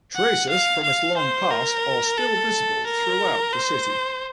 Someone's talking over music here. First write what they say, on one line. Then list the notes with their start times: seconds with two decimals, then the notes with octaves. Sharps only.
Traces from its long past are still visible throughout the city.
0.16 F#5
0.50 F5
0.84 F5
1.17 C5
1.51 A#4
2.18 A4
2.85 A#4
3.53 C5